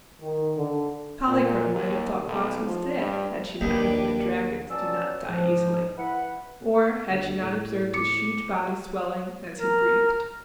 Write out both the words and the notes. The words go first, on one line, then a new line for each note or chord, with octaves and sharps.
Polychrome might have thought Quox was dead had she not known that dragons do not die easily or had she not observed his huge body swelling as he breathed.
D#3
D3
A#2
D#2
B1
F3
G2
D#2 A#3 D4 G4 B4
B2 F#3 C#4 D5 A5 E6
G#2 F3
E4 B4 F#5
D2
A2
D6 C#7
A#4